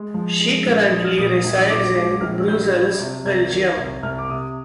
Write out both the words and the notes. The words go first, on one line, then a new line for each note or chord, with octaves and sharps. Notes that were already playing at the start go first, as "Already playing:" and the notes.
She currently resides in Brussels, Belgium.
Already playing: G#3
F3
G#3
A#1
F3 D#6
F6
A#2 D#6
A#1
A#1 D6
G#3 D6
A#1 F6
G3 G6
G3
C3
C2 G#6
D#3 G#6
C2 G#6
C2 F6
D6
C3 D#6